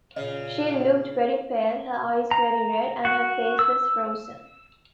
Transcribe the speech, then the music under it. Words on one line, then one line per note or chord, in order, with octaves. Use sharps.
She looked very pale, her eyes very red and her face was "frozen".
A#2 C#3 D#5 F5
A#5
F#4
E6